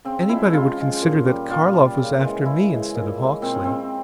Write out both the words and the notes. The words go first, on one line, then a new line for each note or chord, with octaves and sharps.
"Anybody would consider that Karlov was after me instead of Hawksley."
C#3 C4
F3 G#3 E4
C#3 F4
F3 G#3
A#2
G3
A#2 F4
G3
C#3
E3 G#3
C#3 E4
E3 G#3
A#2
G#3
A#2 C4
C#4
G#3 C4